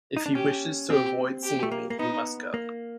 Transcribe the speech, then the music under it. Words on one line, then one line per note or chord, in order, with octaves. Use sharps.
If he wishes to avoid seeing me, he must go.
D#4
D4
C#4 G4
C4 G4
G4
A3
A#3
A#3
B3 D#4
A#3